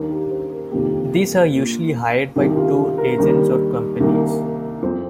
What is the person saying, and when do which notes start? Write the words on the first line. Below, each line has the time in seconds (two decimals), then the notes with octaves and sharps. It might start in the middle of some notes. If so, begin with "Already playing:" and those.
These are usually hired by tour agents or companies.
Already playing: D#2 D#3 A#3
0.10 G4
0.30 C5
0.52 A#4
0.71 F2 C3 D#3 A#3 G4
1.54 A#2 A#3
2.36 C2 C3 D#3 G4
2.49 G4
2.57 F4
2.98 A#4
3.18 D#2 D#3 G3 A#4
4.00 C2 C3 D#3 A#3
4.82 F2 F3 C4 C5